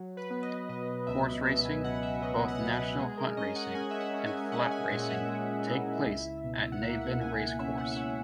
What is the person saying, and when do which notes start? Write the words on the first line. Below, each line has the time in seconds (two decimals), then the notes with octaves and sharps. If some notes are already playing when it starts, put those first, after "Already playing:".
Horse Racing, both National Hunt racing and Flat racing, take place at Navan Racecourse.
Already playing: F#3
0.17 B4
0.30 B3
0.42 D#5
0.69 B2 D#5
1.07 C#2 E5
1.45 B2 E5
1.65 G#5
1.83 C#2 F#5
2.03 E5
2.22 F#3 D#5
2.48 F#5
2.61 B3
2.73 B4
2.98 G#3 G#4
3.17 A#4
3.37 C#4 D#5
3.56 F#5
3.75 C#4 G#5
3.91 E5
4.00 F#5
4.14 C#4
4.26 G#5
4.52 C#4 F#5
4.71 G#5
4.90 A#2 G#5
5.02 F#5
5.10 E5
5.29 G#3
5.67 E4
6.05 C#2
6.44 B2
6.72 F#5
6.82 A#3 E5
7.01 F#5
7.21 C#2 G#5
7.40 F#5
7.59 C#4 E5
7.77 F#5
7.92 E5
7.97 C#4 F#5